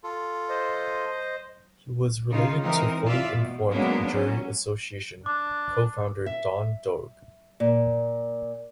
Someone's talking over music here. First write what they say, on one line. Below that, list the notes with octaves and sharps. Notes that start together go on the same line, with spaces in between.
He was related to Fully Informed Jury Association co-founder, Don Doig.
F4 A4
C5 D#5
C#3 D#4 F4
E3 G#3 C4 D#4 A#4
E3 F4 D5 E5
B2
F#3 G#3 A#3 B3 C#4 D4
F#3 C#4
D4 D6
E5
A#2